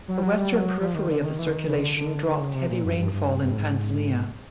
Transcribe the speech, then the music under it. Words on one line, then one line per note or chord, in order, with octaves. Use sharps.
The western periphery of the circulation dropped heavy rainfall in Tanzania.
F#3
G3
F#3
G3
F#3
F3
D#3
D3
D3
D#3
E3
D3
D#3
C#3
D#3
D3
D3
D3
C#3
C3
A#2
F#2
G2
G2
G2
A2
G#2